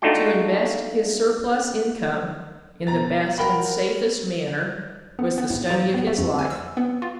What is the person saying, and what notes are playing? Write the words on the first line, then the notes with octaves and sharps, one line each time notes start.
To invest his surplus income in the best and safest manner was the study of his life.
A3 D4 D#4 F4 F#4 G5
B2 A#5 A6
F#4 A#4 G5 B5
B3
B3
A2
F#3
B3
A3
F2
G#5
E6
B3
F4